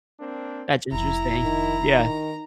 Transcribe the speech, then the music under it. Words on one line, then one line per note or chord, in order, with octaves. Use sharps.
That's interesting. Yeah.
A#3 C4 D4
F1 F3 E4 A#5
D#3
D#3